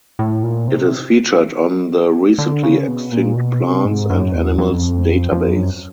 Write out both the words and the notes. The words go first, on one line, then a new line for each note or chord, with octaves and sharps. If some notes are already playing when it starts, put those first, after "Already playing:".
It is featured on The Recently Extinct Plants and Animals Database.
A2
A#2
C3
D3
C#3
B2
A#2
B2
C3
G#2
F#2
E2
F2
F2
F#2